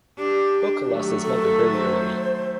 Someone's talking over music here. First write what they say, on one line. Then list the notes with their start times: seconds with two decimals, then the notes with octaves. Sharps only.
Boka lost his mother very early.
0.18 D4 G4
0.87 D#3 F#3 A3
1.25 A4
1.73 C5